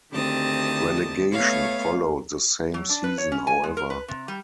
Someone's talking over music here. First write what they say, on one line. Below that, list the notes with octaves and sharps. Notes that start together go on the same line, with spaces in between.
Relegation followed the same season, however.
D2 D#3 C4 G4 A5 D#6
A3 B3 C#5 F5 G#5
F#3
D4
B4
C#5
C#4
G#5
G#3
A#4
B4
C3
G3